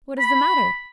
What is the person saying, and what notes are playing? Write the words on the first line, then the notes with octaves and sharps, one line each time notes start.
"What is the matter?"
B5